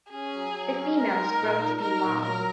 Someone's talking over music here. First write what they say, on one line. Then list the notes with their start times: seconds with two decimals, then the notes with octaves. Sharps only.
The females grow to be long.
0.11 C#4 G#4
0.32 F#3
0.53 F#3
0.74 C#4
0.95 G#3 A#4
1.16 D#4
1.37 A#2
1.59 D#4
1.79 D#4 A#4
2.01 A#2
2.22 F#3 A#4